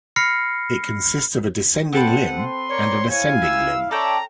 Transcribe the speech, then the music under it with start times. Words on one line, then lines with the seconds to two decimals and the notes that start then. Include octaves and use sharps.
It consists of a descending limb and an ascending limb.
0.16 B5 F6 A#6 C7 C#7
1.93 C4 A4 B4 F#5
2.40 C6
2.69 A#4 C#5 D5
3.10 E4 C#5 F5 G#5
3.42 E6
3.91 C#4 A4 C#5 D5 E5 G5 A#5